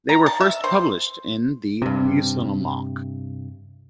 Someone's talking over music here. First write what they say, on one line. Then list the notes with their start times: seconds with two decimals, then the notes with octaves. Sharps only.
They were first published in the "Musenalmanach".
0.09 A#5
0.26 A5
0.41 E5
0.64 C5
1.82 G2 C3